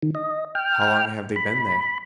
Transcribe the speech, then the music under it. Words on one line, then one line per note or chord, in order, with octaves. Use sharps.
"How long have they been there?"
D#3
D#5
G5 F6
B5